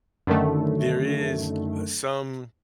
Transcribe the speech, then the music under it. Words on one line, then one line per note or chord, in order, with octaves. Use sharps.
there is, uh, some
F#2 D3 D#3 A3